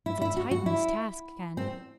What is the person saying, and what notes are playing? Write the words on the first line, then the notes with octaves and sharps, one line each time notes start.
"It's a Titan's task, Ken."
E4
E4
F#4
F#4
E4
C4